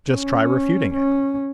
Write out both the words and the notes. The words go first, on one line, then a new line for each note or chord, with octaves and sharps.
Just try refuting it.
C#4
C#4